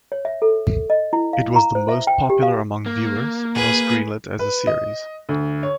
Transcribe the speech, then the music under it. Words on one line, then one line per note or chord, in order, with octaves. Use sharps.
It was the most popular among viewers, and was greenlit as a series.
C#5
E5
A4
D#5
E4
F5
A#5
C5
E5
G5
G4
F5
A#3
G#4 B4
B4
D#5
D2
C#5